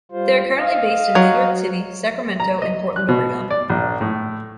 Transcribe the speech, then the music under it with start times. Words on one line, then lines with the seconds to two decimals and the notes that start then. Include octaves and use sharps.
They are currently based in New York City, Sacramento, and Portland, Oregon.
0.12 G3 F4 C5
0.57 D#5 F5
1.15 F#3
2.40 A#5
2.62 D#5
2.96 F#6
3.08 B2
3.50 D5
3.70 A#1
4.01 A2